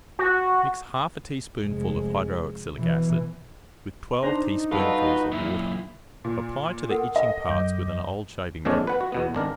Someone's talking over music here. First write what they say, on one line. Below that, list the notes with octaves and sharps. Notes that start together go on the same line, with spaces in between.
Mix half a teaspoonful of hydro-oxalic acid with twelve teaspoonfuls of water,--apply to the itching parts with an old shaving-brush.
F#4
F1 G#3
B2 E3
D4 D#4 C5 A#5
G3 F4 F#4 A4 B4
F#2 A#2 E4
A#2
A4 A#4 F#5
D#5
F#2 D6 G6
F2 A#2 G#3 D4 C#5
B4 F#5
F#4
E2 B2 B3
G#1 D4 A#4